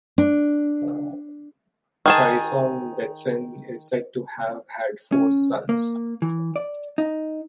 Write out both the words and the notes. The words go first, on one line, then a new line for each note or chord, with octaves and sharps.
Trisong Detsen is said to have had four sons.
D4
D#3 G#4 A5
C#4
A#3
E3
D5
D#4